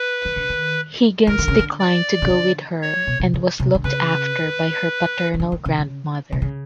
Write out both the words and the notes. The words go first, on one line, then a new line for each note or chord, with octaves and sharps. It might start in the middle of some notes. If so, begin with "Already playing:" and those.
Higgins declined to go with her and was looked after by her paternal grandmother.
Already playing: B4
D#3
D3
D#3
D#3 A#4
D3
C#3
D3
D5
C#3
D3
C#5
B2
C3
C#3
C3
D3
C#3 B4
C#3
D3
D#3
C#3
C#3
C3
C#3